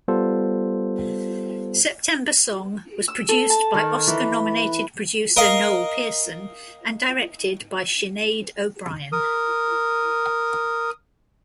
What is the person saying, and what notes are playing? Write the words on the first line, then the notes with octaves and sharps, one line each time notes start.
"September Song" was produced by Oscar-nominated producer Noel Pearson and directed by Sinead O'Brien.
G3 B3 F4 A4 C5
E6
A4
A5
D#3
E3
A#4 D#5 F5
A#4 D#6